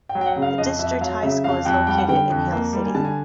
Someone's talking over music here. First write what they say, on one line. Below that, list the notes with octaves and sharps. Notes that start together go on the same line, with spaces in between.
The district high school is located in Hill City.
G5
F#3
G5
F#5
C#3
F5
F2 D#5
F2 E5
F#3 F5
C#3 E5
F2 F5
F2 G5
G3 G5
F#5
D3 G5
F2
A#3
G3
G#5
D3 A5
G#5